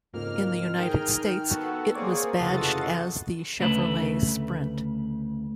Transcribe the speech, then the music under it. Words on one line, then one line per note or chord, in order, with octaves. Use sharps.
In the United States, it was badged as the Chevrolet Sprint.
F2 G#2 C#3 A#3 F6
D#3 G#4 A#4 G5
B3 F#4 A4
A#3 C4 G#4 C#5 D5
F1 C#3 E3 F4 F#4 A4 D#5 A6
D2 C#3 A3 B4